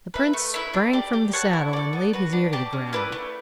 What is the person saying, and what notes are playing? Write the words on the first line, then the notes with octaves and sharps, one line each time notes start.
The prince sprang from the saddle, and laid his ear to the ground.
B4 E5
A3
E4 B4 E5
D4
G4 D5
G4
C#5 F#5 A5
E4
A4 D5
B3
F#4 B4
D4
G4 D5 A5
C#4
E4 B4 D5
A3